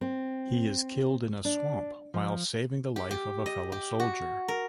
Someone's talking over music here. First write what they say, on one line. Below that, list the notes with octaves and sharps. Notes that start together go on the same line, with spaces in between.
He is killed in a swamp, while saving the life of a fellow soldier.
C4
D4
F3
G4
G4
D#5
G4
F#4
A#4